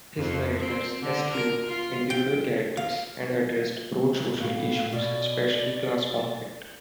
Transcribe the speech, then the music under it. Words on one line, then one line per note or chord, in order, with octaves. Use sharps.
His narratives eschewed individual characters and addressed broad social issues, especially class conflict.
F2
C4
D3
A#4
F4
G5
F5
A2 F5
B2 C#4 D5